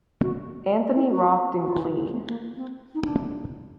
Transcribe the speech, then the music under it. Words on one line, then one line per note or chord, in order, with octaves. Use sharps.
Anthony rocked in glee.
F#4
E4
F#4
F#4
F4
E4
B3
A#3
C4
D#4
D4